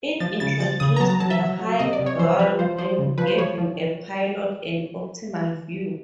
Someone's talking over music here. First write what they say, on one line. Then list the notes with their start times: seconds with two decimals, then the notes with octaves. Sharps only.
It introduced a high gull wing, giving a pilot an optimal view.
0.20 F3 A6
0.40 C#3 A6
0.60 F3 A6
0.80 C#3 D#6
0.96 A#5
1.00 F#3 A5
1.10 A#5
1.20 F#3 A5
1.30 E5
1.39 F#3
1.59 F#3
1.79 C3 D#5
1.93 D5
1.99 C3
2.06 C#5
2.19 F3 C5
2.39 F3 B4
2.59 F3 C5
2.78 F3 C5
2.99 C#3
3.18 F3 B4
3.27 C5
3.38 F3 C#5
3.58 F3